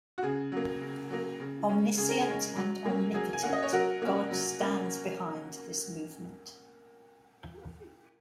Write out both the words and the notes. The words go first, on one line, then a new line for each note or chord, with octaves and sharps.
Omniscient and omnipotent God stands behind this movement.
F#4
C#3 G#4
F#3 A#3
C#3
F#3 A#3
C#3
G#3 C#4
C#3 G#4
A#4
G#4
G#3 C#4
F#3
A#3 C#4
F#3 G#4
G#5
A#3 C#4 F#5
D#5
C#5
F#3 F#4 A#4
A#3 C#4
F#3
A#3 C#4